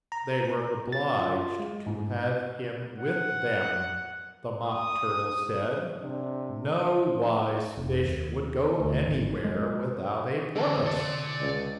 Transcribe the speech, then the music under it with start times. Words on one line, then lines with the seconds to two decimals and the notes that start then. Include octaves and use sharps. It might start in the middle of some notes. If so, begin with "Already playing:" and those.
'They were obliged to have him with them,' the Mock Turtle said: 'no wise fish would go anywhere without a porpoise.'
0.12 A#5
0.45 A#5
0.92 A6
1.19 F4
1.59 G#3
1.86 G#2
2.98 F#5
4.64 D#6
6.02 C3 D4
7.77 F1
8.03 D#2
8.80 D2
9.06 G#1
9.44 G#3
10.56 F2 D3 E3 A5
10.86 D5 C6
11.41 C#2